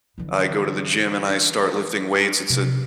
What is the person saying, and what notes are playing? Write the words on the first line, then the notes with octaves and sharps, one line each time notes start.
I go to the gym and I start lifting weights, it's a
D3 E3
C3